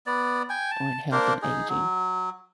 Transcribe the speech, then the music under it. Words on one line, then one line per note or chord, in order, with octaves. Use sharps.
on health and aging
B3 D5
G5 G#5
A5
A#3 D4 A#4 C5
D#4 G#4
F#3